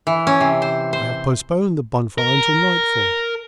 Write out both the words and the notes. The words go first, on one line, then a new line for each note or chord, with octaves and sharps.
I have postponed the bonfire until nightfall.
E3
C#4
C3
C5
C5
A#4